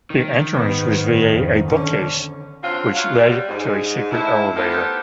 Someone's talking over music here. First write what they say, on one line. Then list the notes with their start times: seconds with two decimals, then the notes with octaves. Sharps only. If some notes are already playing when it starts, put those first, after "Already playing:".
The entrance was via a bookcase which led to a secret elevator.
0.10 D#3
0.54 G#2 B3
1.29 F2
1.67 D3 C#4
2.63 D3 F#3 C4 C#4 F4
2.94 F#3 F4
3.16 G3
3.48 G#2
4.11 A2 D#3 E4
4.56 B3 D#4 G4 A4 A#4 C5